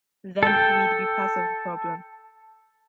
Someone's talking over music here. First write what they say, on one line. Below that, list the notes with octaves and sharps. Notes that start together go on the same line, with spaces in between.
Then we’d be part of the problem.
A4 G5